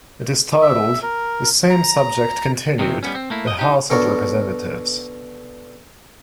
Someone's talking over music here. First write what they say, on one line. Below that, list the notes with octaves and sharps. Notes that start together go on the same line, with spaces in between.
It is titled, The Same Subject Continued: The House of Representatives.
E5
A#4
A#5
C3 D#3 E3 C4
G3 B3 C#4
C4
A3 A#3 E4
D#5
D#4 G4
B2 D3 D4 A#4 C#5